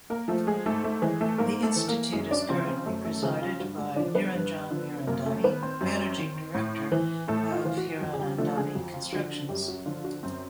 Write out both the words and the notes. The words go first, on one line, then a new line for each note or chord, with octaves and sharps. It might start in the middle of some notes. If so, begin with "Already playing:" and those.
The institute is currently presided by Niranjan Hirandani, Managing Director of Hiranandani Constructions.
A#3 A#4
F3 A3 A4
G#3 G#4
G#2 A3 A4
A3 A4
E3 G#3 G#4
A3 A4
G#2 A#3 A#4
A3 A4
E3
A#3 A#4
F#2 G#3 G#4
D4 D5
C#3 F3 C4 C5
C4 C5
F#2 A3 A4
A3 A4
C#3 F3 G#3 G#4
F4
G2 F#4
G#3 G#4
D3 F3 D4 D5
B3 B4
G2
D3 F3
F#2 A#3 A#4
A3 A4
D#3 B3 B4
C4 C5
F#2
D#3
A2
E3
A2 A3 A4
F4
E3
F#4
F2
G#4
G3 G4
D3 F3 A3 A4
G#3 G#4
F2 F#4
F4
D3 F3 F#4
F#2 G3 G4
F#4
D3 F3 F4
F#4
F#2 C4 C5